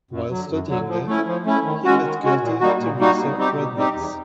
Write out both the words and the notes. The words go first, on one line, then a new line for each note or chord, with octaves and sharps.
While studying there he met Gerty Theresa Radnitz.
F#2
D3 F#3
F#2
D3 F#3
F3
A3 C#4 E4
F3
A3 C#4 E4
D#3
G#3 C#4 F#4
D#3
G#3 C#4 F#4
A#2
G3 A#3 D#4 F#4
A#2
G3 A#3 D#4 F#4
B2
G3 C4 D#4 G4
B2
G3 C4 D#4 G4
E2